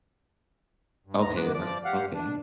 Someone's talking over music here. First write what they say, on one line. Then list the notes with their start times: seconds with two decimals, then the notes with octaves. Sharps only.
Okay, then that's okay.
1.06 G2
1.21 D#2 B3 A#5
1.37 F#2 B3 D6 F#6
1.54 F3 D5 D6
1.85 G4 F5 F#5
2.14 D4